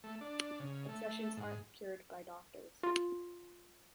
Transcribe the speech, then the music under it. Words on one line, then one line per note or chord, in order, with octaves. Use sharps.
Obsessions aren’t cured by doctors.
A3
D4
C#3
A3
G#2
F4